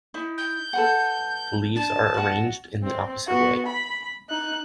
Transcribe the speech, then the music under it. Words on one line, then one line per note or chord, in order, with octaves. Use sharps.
The leaves are arranged in the opposite way.
D#4 E4
G6
A4 B4 F#5
D4 A5
F#4 F#5
C4
B3 F#4
B5
D#4 F#6